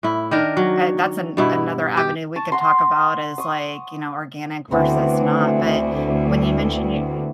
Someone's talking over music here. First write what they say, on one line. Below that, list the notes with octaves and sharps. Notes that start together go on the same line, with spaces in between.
uh, that's an another avenue we could talk about is, like, you know, organic versus not, but, when you mentioned you e
A2 E4
D#3 D4 A#4
F#3
G2 B2 E4
G4
A5 C#6 D#6
F#5 A#5 C6
C#6 D#6
D2 E3 B3 C4